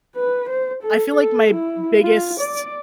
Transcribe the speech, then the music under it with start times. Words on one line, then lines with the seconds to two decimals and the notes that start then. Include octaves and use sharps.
I feel like my biggest
0.16 B4
0.49 C5
0.83 A4
1.12 A4
1.54 E4
2.02 F4
2.40 D5